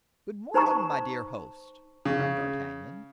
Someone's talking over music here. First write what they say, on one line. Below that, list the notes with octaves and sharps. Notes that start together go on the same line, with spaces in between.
"Good-morning, my dear host," cried D'Artagnan.
D#4 C5 A5 A#5 C#6
C#3